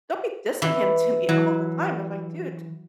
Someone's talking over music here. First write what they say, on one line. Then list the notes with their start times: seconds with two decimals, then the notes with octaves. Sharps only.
don't be dissing him to me all the time. I'm going, “Dude"
0.62 E3
1.29 E3 F#3